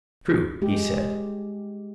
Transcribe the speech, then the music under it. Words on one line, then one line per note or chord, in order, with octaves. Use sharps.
True, he said.
G#3 G4